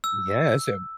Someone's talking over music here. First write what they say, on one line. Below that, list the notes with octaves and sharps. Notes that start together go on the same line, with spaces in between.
Yes, and
E6